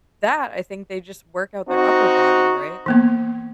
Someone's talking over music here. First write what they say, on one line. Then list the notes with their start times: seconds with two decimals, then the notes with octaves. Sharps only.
that, I think they just work out their upper body, right?
1.69 C4 D#4 F#4
2.86 E3 A#3 B3